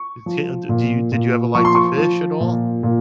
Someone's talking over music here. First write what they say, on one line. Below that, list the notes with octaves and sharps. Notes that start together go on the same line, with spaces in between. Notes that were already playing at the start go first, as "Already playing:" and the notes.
it's can d do you did you ever like to fish at all?
Already playing: C#6
F3
A#2
A#2
F3 C#6
C6
C#6
F3
A#2
A#2